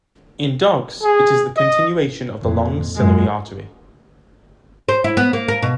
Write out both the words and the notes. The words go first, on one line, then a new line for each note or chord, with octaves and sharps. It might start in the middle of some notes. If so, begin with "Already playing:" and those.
In dogs, it is the continuation of the long ciliary artery.
G#4
D#5
F2 A#2
F#2 G#3
C5
E4
B3
A#3
A#4
B2